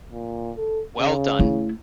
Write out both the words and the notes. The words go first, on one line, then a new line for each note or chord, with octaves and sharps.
Well done.
A#2
A4
C#3
A3 E4